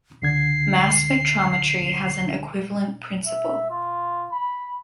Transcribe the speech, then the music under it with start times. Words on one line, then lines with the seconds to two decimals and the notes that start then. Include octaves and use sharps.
Mass spectrometry has an equivalent principle.
0.22 C#2 D3 G#6 C7
3.27 E5
3.71 F4
4.32 B5